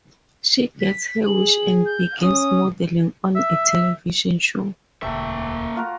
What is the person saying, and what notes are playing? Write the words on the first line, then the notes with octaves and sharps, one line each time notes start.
She gets her wish and begins modeling on a television show.
B6
G#4 F#7
G6
C#4 D#6
E5
E1 D2 A3 A#3 E5 G5
F4 F#4 A#4